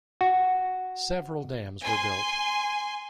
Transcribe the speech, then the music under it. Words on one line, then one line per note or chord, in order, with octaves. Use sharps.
Several dams were built.
F#4
G#5 C6